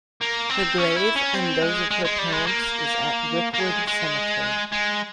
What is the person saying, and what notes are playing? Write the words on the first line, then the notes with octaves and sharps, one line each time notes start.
Her grave and those of her parents is at Brookwood Cemetery.
A#3
C4
C#4
E4
C#4
C4
G#3
G#3
G#3
G3
G#3
A#3
A#3
G#3
G#3
G#3